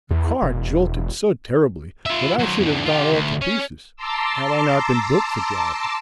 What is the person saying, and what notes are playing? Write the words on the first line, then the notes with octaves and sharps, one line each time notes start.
The car jolted so terribly that I should have gone all to pieces had I not been built for jarring.
E2
E1
F4 E5
F#3 C5
E2 D3
F4 G4
D2
C#4
A5 A#5 C6 D6 E6